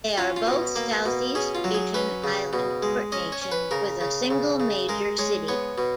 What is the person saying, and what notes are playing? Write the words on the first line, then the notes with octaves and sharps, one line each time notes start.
They are both Southeast Asian island port nations with a single major city.
C#4 F4
F4
B2
A#3
B2
C#4 G#4
F4
F#3
G#4
C#4 B4
C#3
B2
G#3
C#4 D#5
C#5
C#4
B4
C#3 A#4
C#3
C#3
C#3
G#3 A#4
G#3 C#5
B3 C#5
B2